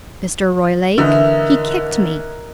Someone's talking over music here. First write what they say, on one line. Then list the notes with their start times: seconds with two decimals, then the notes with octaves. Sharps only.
Mr. Roylake, he kicked me.
0.98 D3 E3 D#4 A#4 E5